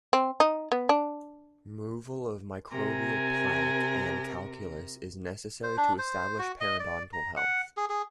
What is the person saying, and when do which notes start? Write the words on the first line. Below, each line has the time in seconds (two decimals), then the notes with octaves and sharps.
Removal of microbial plaque and calculus is necessary to establish periodontal health.
0.13 C4
0.40 D#4
0.72 B3
0.89 D4
2.71 C3 A#4 G#5
5.63 C5
5.77 D4
5.98 C5
6.39 F#4
6.60 D#5
6.80 D5
7.13 A#5
7.37 F#5
7.77 G#4
7.89 G#4